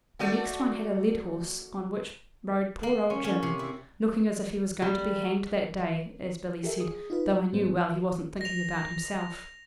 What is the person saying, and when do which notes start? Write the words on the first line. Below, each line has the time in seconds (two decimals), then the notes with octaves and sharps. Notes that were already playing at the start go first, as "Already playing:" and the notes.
The next one had a led horse, on which rode poor old Jim, looking as if he was going to be hanged that day, as Billy said, though I knew well he wasn't thinking about himself.
0.19 A3 F#4 D5
2.83 A#3
3.10 C#4
3.24 C#4
3.43 C3
3.59 E4
4.82 G3
6.63 G4 A4 A#4 E5
6.77 G#4 D#6
7.10 D#4 F4 B4
7.36 G3
7.53 G#2 B3 C4
8.41 A#6 F7